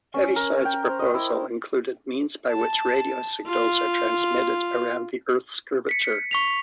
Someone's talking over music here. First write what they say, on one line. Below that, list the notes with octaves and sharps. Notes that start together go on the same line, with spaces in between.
Heaviside's proposal included means by which radio signals are transmitted around the Earth's curvature.
C#4
A#4
G5
C5
D#5
E4
A5
F4
B6 C#7
C#6 B6 F7